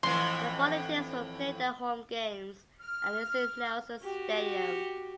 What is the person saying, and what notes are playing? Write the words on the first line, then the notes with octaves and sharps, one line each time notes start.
The Volunteers will play their home games at Lindsey Nelson Stadium.
F2 A2 E3 C6
F6
F#4 G4